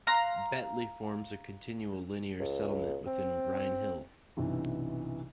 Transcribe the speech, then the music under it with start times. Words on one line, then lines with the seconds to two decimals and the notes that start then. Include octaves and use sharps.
Betley forms a continual linear settlement with Wrinehill.
0.07 F5 A#5 C6 F#6
2.40 C#2
3.07 C4
4.37 B1 G2 C3 E3